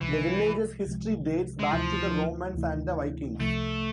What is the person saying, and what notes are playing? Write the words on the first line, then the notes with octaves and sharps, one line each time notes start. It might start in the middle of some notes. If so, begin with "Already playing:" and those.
The village's history dates back to the Romans and the Vikings.
C2 C3 E3 F3 G#3
C2 C3 F3 G#3
G#3
D2 C3 E3 F3 A3 E4
D2 C3 E3 A3 E4
C2 C3 F3 A3